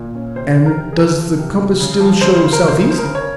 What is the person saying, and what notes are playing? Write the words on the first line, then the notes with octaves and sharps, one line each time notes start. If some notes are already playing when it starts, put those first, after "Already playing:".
"And does the compass still show south-east?"
Already playing: A#2
C#4
C3 C5
F3
A#4
C3
G#4
C3 A#4
F3
C3
C#3
C#3
F3
C#3 C5
C5
C#3
A#4
C#3
C5
C#3
C5
A#4
C#3
C#5